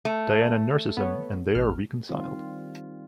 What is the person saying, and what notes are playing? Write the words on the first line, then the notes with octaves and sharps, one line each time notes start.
Diana nurses him and they are reconciled.
A3
B3 C#5
A1 F6
D#3 G3 C4 F4